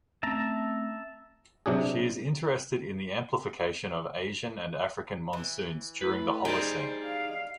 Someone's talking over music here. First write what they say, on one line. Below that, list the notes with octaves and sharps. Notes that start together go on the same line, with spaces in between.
She is interested in the amplification of Asian and African monsoons during the holocene.
A3 C4 C#4 E5 A5 A#5
C3 F#3 D4 G#4
E3
A3 E4 B4
D#4 G4 G#4 C5 D5
F5